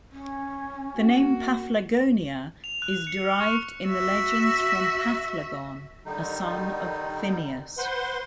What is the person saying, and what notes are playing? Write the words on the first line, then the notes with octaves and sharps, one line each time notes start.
The name "Paphlagonia" is derived in the legends from Paphlagon, a son of Phineus.
C#4
A#3 F#4
F7
F#6
C#7
F6
C#6
F#4 E5
D3 D#3 G3 D#4
B4 C5 F#5 C6